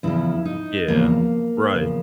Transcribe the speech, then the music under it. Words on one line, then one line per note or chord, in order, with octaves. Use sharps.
Yeah, right.
E2 C#3 F3 E4
D#4
E2 C#3 F3 A#3
E2 C#3 F3